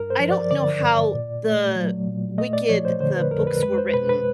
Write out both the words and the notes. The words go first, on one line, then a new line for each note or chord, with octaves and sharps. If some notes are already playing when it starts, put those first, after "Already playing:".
I don't know how the Wicked the books were written
Already playing: G2 A#4
C5
F3
D5
D3 D5
G2
A#2
A3
F#3
A#2
A3 D#5
D5
F3 C#5
C5
D3 C5
B4
F2 A#4
B4
G#3 B4
C5
B2 B4
B4